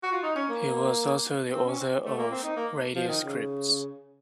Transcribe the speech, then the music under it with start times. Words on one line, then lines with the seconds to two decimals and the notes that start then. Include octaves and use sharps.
He was also the author of radio scripts.
0.03 F#4
0.12 F4
0.23 D#4
0.35 C#4
0.49 A#3
1.53 C4
1.66 C#4
1.79 C4
2.05 A3
2.18 A#3
2.31 C4
2.44 D#4
2.56 A#3
2.96 F3
3.08 D#3
3.22 C#3